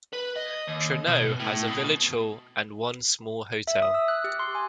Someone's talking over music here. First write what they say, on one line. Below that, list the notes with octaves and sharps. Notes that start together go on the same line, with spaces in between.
Treknow has a village hall and one small hotel.
B4
D#5
D#2
B2
A2
B2
E5
D#6
E6
F#6
G4
C6
G#5